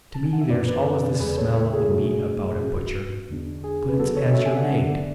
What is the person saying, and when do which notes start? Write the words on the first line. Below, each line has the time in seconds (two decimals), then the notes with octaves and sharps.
To me there's always the smell of the meat about a butcher. But it's as you're made.
0.14 A5
0.24 G#5
0.33 F#5
0.41 E5
0.50 F#2 E3 B3 D4 B4 D5
0.68 B4 D5
1.20 E2 C#3 G#3 G#4 B4
1.37 A4 C#5
1.54 C#5 E5
1.73 G#4
1.90 B2 A3 D4 F#4
2.02 F#4
2.07 G#4
2.24 G#4
2.42 F#4
2.59 A2 F#3 C#4 G#4
2.76 F#4
3.29 E2 D3 G#3 B3 D4
3.64 G#4
3.89 B4
3.98 D3 F#3 B3 D4 F#4 A4
4.16 A4 C#5
4.34 C#5 E5
4.46 E5 G#5
4.57 D5 F#5
4.69 D3 G#3 B3 D4